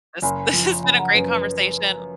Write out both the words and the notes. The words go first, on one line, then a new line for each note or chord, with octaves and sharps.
This this has been a great conversation.
F#1 G#5 B5
F3
F#1 G#5 B5
F#5 A#5
F#2 B4
B4